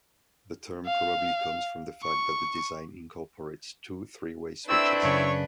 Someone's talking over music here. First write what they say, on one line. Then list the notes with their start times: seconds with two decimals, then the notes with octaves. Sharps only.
The term probably comes from the fact that the design incorporates two "three-way" switches.
0.86 F5
2.03 C#6
4.69 A3 C4 D4 E4 B4 E6
5.03 F#2 C#3 C#5